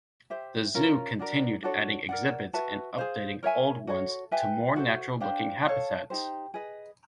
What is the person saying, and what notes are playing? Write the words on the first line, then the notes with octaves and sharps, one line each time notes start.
The zoo continued adding exhibits and updating old ones to more natural-looking habitats.
G4 C5 E5
C#4 F4 A#4
D4 F#4 A#4 D5
D4 F#4 A4 C#5
A#4 D5 F#5
F#4 B4 E5 A5
G#4 C5 F5
A#4 C#5 E5 G#5
F#4 A4 C#5
G4 B4 E5 G#5
F#4 A4 C5
D4 G4 C5 F5
A4 C#5 F5 A5
D#4 G4 C5
G#4 B4 D#5